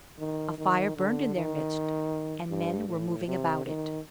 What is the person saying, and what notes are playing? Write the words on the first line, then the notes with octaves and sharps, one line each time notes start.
A fire burned in their midst and men were moving about it.
D#3
D#3
D3
D#3
G2
A2
C3
D#3